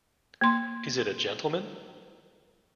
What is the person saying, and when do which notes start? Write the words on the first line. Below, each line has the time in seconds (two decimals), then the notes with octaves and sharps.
Is it a gentleman?
0.41 A#3 C6